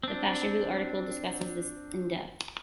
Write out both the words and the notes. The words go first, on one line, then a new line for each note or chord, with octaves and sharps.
The fashion boot article discusses this in depth.
C4 D4